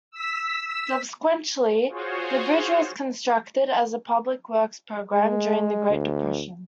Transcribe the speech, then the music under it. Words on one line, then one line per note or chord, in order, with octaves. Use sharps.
Subsequently the bridge was constructed as a public works program during the Great Depression.
E6 B6
F4 F#4 G#4 C5 C#5
G#3
D2